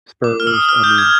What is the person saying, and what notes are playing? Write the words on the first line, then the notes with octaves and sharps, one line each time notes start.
Spurs, I mean
D6
F6
E6
D#6
F6
G6
G#6